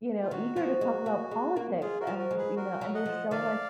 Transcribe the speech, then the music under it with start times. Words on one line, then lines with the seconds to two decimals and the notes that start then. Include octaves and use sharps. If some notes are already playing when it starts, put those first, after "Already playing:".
you know, eager to talk about politics and, you know, and there's so much
0.23 F4
0.31 D#3 F#4
0.56 F3
0.81 G#3
1.06 A#3
1.31 G#3
1.56 A#3
1.81 G#3 F4 G#4
2.00 F#4 A#4
2.07 F3
2.18 F#4 A#4
2.31 G#3
2.38 G#4 B4
2.56 F#4 A#4
2.81 F#3
2.94 D#5 F#5
3.06 F3
3.31 D#3 D5 F5